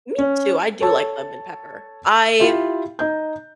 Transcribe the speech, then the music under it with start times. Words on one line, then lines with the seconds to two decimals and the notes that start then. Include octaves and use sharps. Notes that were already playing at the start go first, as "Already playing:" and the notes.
Me too, I do like lemon pepper, I
0.19 C#4
0.80 A4 C#5 A5 E6
2.40 E4 F4 G4 E5
2.99 D#4 D#5 G6